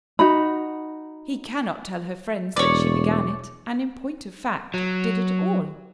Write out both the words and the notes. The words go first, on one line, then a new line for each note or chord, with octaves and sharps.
He cannot tell her friends that she began it, and in point of fact did it all.
D#4 F#4 B5
E1 C#5 D5
F#3